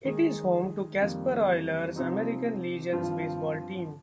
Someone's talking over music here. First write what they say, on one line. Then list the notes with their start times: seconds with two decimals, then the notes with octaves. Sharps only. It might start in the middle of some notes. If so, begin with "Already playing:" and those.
It is home to the Casper Oilers American Legion Baseball team.
0.05 D#3 G#3 D#4 G#4
1.01 F2 D#3 G3 A#3
1.96 C3 F3 C4 D#4
2.92 G2 F3 C4 F4